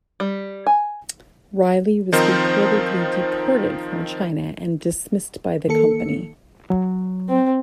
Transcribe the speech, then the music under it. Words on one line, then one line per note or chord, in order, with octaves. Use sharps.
Reilly was reportedly deported from China and dismissed by the company.
G3
G#5
D#3 F3 C4 D#4 A#4 C5
D#3 A#3 A4 C#7
F#3
C4